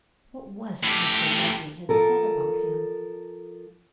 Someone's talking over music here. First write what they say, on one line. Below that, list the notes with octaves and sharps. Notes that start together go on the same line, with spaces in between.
What was it Mr. Leslie had said about him?
A2 G4
F3 A4 A#4